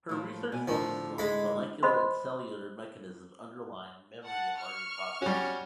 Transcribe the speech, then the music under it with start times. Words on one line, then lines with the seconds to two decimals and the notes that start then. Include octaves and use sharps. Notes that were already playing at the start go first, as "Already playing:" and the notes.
Her research focusses on the molecular and cellular mechanisms underlying memory and learning processes.
0.09 A2 F3
0.52 B2 G#5
0.68 A2 D3 F3
1.18 G#3 B5
1.83 C5 D#5 B5 C6
4.24 F#5 A5
4.58 C#6 F6
5.22 G3 C#4 F#4